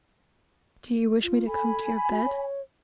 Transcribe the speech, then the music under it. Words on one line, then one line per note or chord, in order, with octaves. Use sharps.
"Do you wish me to come to your bed?"
F4
A4 G#5 B5
F#4
C#5